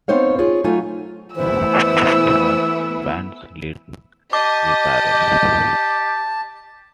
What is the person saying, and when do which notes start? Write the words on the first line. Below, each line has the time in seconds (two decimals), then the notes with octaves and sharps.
Pulsford was the band's lead guitarist.
0.08 B3 C4 D#4 C5 C#5 F5
0.39 F4 G#4 C#5
0.64 F#3 A3 D#4 F4 G#5
1.36 E3 A3 B3 E4 C5 E6
4.33 G4 D#5 A5 D6